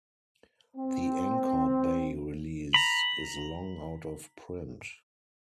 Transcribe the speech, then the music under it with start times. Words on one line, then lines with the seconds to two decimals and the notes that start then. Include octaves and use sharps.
The Anchor Bay release is long out of print.
0.77 C4
2.74 A#5 B5